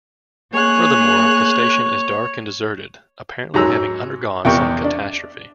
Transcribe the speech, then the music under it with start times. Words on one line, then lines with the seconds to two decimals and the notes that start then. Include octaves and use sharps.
Furthermore, the station is dark and deserted, apparently having undergone some catastrophe.
0.53 A#3 G#4 C#5 F#6
3.54 G#2 F#3 A#5 E6
4.45 E2 C3 A#4 G5 C#6
4.84 D4